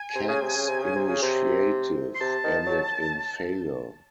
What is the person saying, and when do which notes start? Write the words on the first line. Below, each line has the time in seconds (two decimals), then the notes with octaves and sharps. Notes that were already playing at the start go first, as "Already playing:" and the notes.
Kak's initiative ended in failure.
Already playing: G#5
0.15 C3
0.28 C#3
0.42 C3
0.55 C#3
0.68 C3
0.82 C#3
0.96 C3
1.09 C#3
1.22 C3
2.15 C6
2.21 C3 A5
2.44 D#3
2.66 F#3